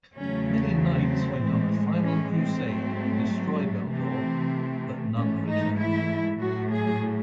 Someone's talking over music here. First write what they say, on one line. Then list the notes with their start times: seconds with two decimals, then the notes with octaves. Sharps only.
Many knights went on a final crusade to destroy Beldor but none returned.
0.16 E2 C#3 F#3 A3 C#4
0.78 C4
1.42 A2 E3 G#3
2.03 C#4
2.35 C4
2.66 G#2 F#3 A3
3.91 C3 E3 A3 C4
5.16 G#2 E3 A3 C#4
5.47 D#4
5.78 E4
6.41 A2 F#3 A3 F#4
6.72 G#4